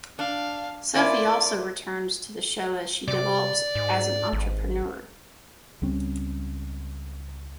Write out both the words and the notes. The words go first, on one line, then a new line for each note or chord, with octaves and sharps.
Sophie also returns to the show as she develops as an entrepreneur.
D4 F5
A#3 E4 F4 D5
C3 D5
G#2
G#1
C#2 G3 C4 C#4